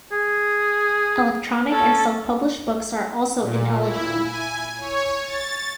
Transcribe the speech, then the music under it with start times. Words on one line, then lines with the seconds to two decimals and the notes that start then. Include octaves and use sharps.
Electronic and self-published books are also ineligible.
0.12 G#4
1.72 C#4 A4
3.40 A#2
3.82 E4
4.23 G#5
4.78 C#5
5.25 A6